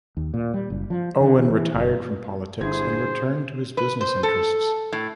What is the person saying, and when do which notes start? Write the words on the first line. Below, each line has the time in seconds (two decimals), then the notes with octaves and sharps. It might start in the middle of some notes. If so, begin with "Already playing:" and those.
Owen retired from politics and returned to his business interests.
0.17 D#2
0.34 A#2
0.54 G3
0.70 F#1
0.90 F3
1.21 D3
1.38 E3
1.50 E3
1.74 F#1
2.61 G1 D3 E4 G#4 C5 G#6
3.77 B4
4.01 C5
4.23 A4
4.93 A2